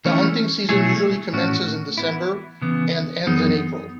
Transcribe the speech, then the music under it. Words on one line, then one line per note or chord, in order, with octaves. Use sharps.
The hunting season usually commences in December and ends in April.
E3 A3 C#4
B2 F#3 A3 E4 G#4
A2 E3 A3 C#4 F#4
E3 B3 E4
C#3 E3 B3
F#2 E3 B3 D#4 G#4